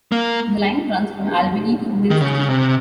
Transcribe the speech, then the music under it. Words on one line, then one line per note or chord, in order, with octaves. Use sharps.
The line runs from Albany to Mill City.
A#3
D#3
C#3
C3